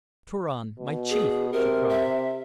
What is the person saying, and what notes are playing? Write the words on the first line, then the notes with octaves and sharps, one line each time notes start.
"Turan, my chief!" she cried.
B2
G#4
C3 A#4
E5